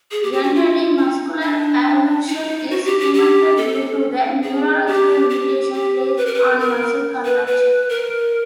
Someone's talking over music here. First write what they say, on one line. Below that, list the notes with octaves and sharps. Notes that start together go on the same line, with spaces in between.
Generally muscular avulsion is prevented due to the neurological limitations placed on muscle contractions.
G#4
G4
G4
F#4
F4
D#4
D4
D#4
F#4
G4
G4
G4
A4
G#4
G4
G4
G4
B4
A#4
B4
A#4
B4
B4
A#4